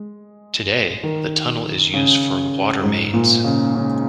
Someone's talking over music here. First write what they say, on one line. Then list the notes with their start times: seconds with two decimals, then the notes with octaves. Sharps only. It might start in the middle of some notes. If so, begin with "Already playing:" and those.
Today the tunnel is used for water mains.
Already playing: G#3
1.03 D#3
1.94 C#3
2.83 G#2
3.14 A#2
3.44 C#3
3.75 C#3